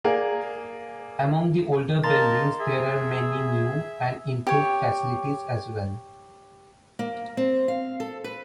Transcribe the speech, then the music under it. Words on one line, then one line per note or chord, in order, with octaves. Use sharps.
Among the older buildings, there are many new and improved facilities as well.
A#3 G#4 A#4 D5
A#3 D#4 A#4 A5 A#5 C6 A6
G#4 E5
G4 C#5
A#3
C4
F5
A4
B4